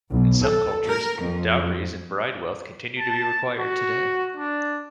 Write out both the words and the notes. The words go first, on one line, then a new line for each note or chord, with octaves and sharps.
In some cultures, dowries and bridewealth continue to be required today.
B1
A4
A#4
F2
A5
F#4
D4